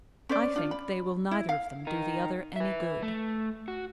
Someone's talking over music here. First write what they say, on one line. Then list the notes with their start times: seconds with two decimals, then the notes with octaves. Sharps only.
"I think they will neither of them do the other any good."
0.29 C#4 C5 D5
0.56 D4 F4
0.71 B5
1.31 E4
1.49 F5
1.87 D#4 A#4
2.56 B4 E5
3.02 A3
3.68 F#4